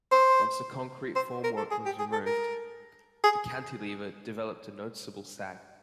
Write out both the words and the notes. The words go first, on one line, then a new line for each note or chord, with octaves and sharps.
Once the concrete formwork was removed, the cantilever developed a noticeable sag.
C5
C5
A#4
A4
G#4
G4
G#4
A4
A#4
G#4